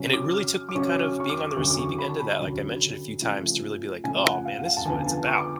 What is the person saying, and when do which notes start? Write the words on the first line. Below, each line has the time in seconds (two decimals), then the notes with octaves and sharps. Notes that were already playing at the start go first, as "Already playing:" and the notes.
and it really took me kind of being on the receiving end of that, like I mentioned a few times, to really be like, "Oh man, this is what it's about."
Already playing: C#3 F#3 C#4
0.13 D6
0.34 F6
0.69 D6
0.75 C#3 F#3 C#4 C#6
0.96 D6
1.03 F6
1.20 C#6
1.30 D6
1.51 D6
1.57 D2 C#3 F#3 C#6
1.70 D6
1.78 C#6
1.99 B5
2.09 A5
2.19 B5
2.39 D2 C#3 F#3
3.22 C#3 F3 A3
4.04 C#3 F3 A3 G#5
4.24 F#5
4.45 F5
4.66 F5
4.77 A5
4.85 D2 C#3 F3 B3 G#5
5.07 A5
5.27 C#6
5.40 D6